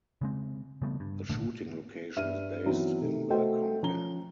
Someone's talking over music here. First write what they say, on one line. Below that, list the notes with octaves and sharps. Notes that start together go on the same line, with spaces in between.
The shooting location is based in the Konkan.
C#3 G#3 C4
C#3 G3 A3 B3
G2
G#1 A#2 D3 A3
G2 E5 F6 D#7
D#3 E3 F#3 B3 C4
C3 D#3 A3
A3 F#4 C5 D#5 G5
F3 C#4 A#5 G7